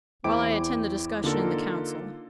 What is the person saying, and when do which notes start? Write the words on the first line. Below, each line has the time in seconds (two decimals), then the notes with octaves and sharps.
While I attend the discussion in the Council....
0.24 E2 E4 C5 G5 D6 D7
1.24 D3 A#3 D#4 F4 A4 A#4